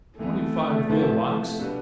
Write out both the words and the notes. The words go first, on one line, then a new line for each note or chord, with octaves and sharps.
Twenty-five wheel locks!
F2 E3 A3 B3
C3 F3 B3 E4 B4
B2 G3 B3 D4 A4